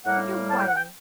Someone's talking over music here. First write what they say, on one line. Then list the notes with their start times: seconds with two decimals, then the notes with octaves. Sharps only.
But you're wiry.
0.05 A2 G3 A#3 F#5
0.50 A5
0.58 G5
0.67 F#5
0.75 G5